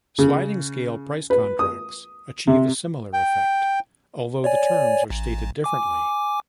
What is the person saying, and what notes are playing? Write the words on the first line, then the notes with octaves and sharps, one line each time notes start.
Sliding-scale price contracts achieve a similar effect, although the terms are stated differently.
C#3
B4
D#6
C3
G5
C#5 D5 G#5
A1
G#5 D6